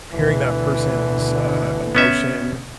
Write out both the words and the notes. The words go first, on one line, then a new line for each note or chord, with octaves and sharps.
hearing that person's, uh, emotion,
D2 B2 D3 E3
B3 C#4 E5